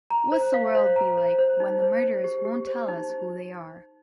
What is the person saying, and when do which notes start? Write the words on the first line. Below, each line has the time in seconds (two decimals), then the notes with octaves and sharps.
What’s the world be like when the murderers won’t tell us who they are?
0.10 A#5
0.32 C5
0.54 F5
0.75 C5
0.96 A#5
1.17 C5
1.39 C5
1.60 D#4
1.82 C5
2.03 C5
2.24 G4
2.45 G4
2.67 C5
2.88 D#4
3.10 D#4